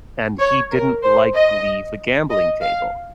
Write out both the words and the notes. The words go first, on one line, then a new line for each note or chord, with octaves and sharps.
And he didn't like to leave the gambling table.
C#5
A#4
C5
D#5
D#5
F5